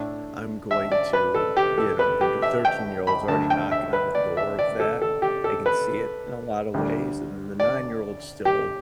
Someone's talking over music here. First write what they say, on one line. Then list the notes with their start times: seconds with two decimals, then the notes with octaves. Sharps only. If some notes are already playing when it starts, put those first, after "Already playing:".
I'm going to, you know then tur thirteen-year-old's already knocking on the door of that. I can see it, in a lotta ways, and then the nine-year-old's still
Already playing: A2 A3 D4
0.71 E5
0.92 D5
1.13 B4
1.35 A4
1.57 G4
1.78 A4
1.99 B4
2.21 G4
2.42 E5
2.65 G5
3.07 B5
3.28 D2 D3 A3 A5
3.50 G5
3.71 E5
3.93 B4
4.15 D5
4.37 E5
4.59 D5
4.80 A4
5.02 A4
5.22 G4
5.44 A4
5.66 B4
6.74 D2 D3 G3
7.60 D5
8.45 G4